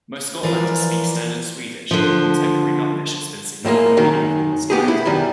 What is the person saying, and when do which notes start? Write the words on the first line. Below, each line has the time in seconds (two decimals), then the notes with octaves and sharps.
Most Gotlanders speak Standard Swedish and contemporary Gutnish has been significantly influenced by it.
0.43 E3 F3 A#4 D5
1.91 D3 F3
3.65 A2 G3 G#3 A#3
3.97 F#2 D#3
4.70 B3 G4 G#4
4.88 E4
5.05 F#2 D#3 G3